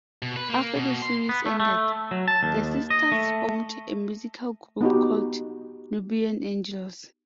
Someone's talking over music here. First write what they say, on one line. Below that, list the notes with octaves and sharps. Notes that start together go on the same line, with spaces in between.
After the series ended, the sisters formed a musical group called Nubian Angels.
B2
B4
A#3
B2
C6
B3
A3
A3
F#3
A5
D#2
D#5
A3
B3 D#4 F#4 G4